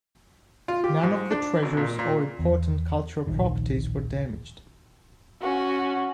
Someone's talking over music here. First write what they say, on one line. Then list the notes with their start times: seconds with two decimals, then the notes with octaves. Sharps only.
None of the treasures or Important Cultural Properties were damaged.
0.68 F4
0.84 G4
1.03 G#2
1.31 D4
1.63 G#1
1.77 A#2
1.99 A#2
2.39 E2
3.27 D1 A#1 D#3
5.41 C#4 F#4